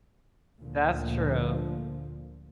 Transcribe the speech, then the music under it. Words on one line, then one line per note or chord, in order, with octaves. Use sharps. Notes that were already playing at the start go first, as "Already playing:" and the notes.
That's true.
D2 A#2 D3 F3